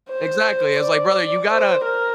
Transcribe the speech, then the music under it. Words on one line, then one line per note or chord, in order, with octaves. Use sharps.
Exactly. I was, like, "Brother, you gotta
C5
D5
C5
A#4